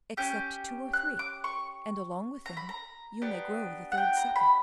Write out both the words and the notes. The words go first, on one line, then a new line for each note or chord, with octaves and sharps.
"Accept two or three, and, along with them, you may grow the third sucker."
C#4 G4 G6
F#6
D6
C#6
A#5
B5
A#5
B3 D4 G4
F#5
G5
A#5
B5